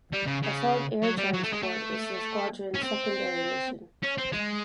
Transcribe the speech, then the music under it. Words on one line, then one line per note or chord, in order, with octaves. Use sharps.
Assault air transport is the squadron's secondary mission.
G3
C#3
C#3
F#3
G3
F#3
A3
G#3
A3
C#4
C4
C#4
C4
G#3